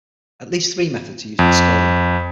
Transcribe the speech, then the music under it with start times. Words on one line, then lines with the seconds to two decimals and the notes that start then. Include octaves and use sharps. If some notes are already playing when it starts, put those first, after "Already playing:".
At least three methods are used in scoring.
1.39 F2